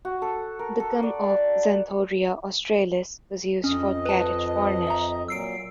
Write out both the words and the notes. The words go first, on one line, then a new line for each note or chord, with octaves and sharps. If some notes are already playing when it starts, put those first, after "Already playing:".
The gum of "Xanthorrhoea australis" was used for carriage varnish.
F#4
A4
A#4
A4
D5
F2 C#4 D#5
B4 A5
E5 A#5
A#2 F#3 E6 C7 D7